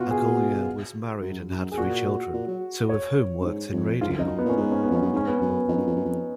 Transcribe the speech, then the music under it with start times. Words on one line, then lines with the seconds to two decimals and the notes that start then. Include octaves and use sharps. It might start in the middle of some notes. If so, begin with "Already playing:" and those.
Aguglia was married and had three children, two of whom worked in radio.
Already playing: B2 F4 F#4
0.11 G#4
1.22 F#2
1.49 F#2
1.72 G#4
1.78 A#2 F#4
2.34 A#2
2.47 F#3
2.89 C#5
3.41 F#2
3.45 G#2
3.73 F2
4.01 G#2 F4
4.09 F#2
4.18 F2 D#4
4.25 F#2
4.38 B3
4.45 A#2 C#4
4.57 G#2 B3
4.72 C#4
4.83 B3
4.91 F2 C#4
5.02 F#2 B3
5.13 G#2 C#4
5.27 B3
5.39 F#2 C#4
5.50 B3
5.68 F2 D#4
5.77 F#2
5.86 F2
5.96 F#2
6.05 F2